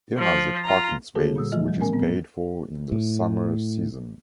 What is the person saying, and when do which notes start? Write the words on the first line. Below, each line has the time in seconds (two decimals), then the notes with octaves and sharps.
It has a parking space, which is paid for in the summer season.
0.18 F3
0.64 F4 A#5
1.15 D3 A#3 F#4 G#4 A4
1.36 A#2 G3 D#6 E6
1.52 E3 F3 A3 F4
1.69 G3
1.80 A2 A3 B3 C#4 A#4 G#5
1.93 F3 B3 C4
2.92 A2